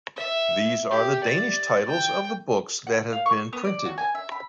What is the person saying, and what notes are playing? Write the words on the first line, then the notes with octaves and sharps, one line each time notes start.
These are the Danish titles of the books that have been printed.
E5
G4
D5
G5
F#5
F5
C#6
B3
D5
F#4
G#5
E5
B5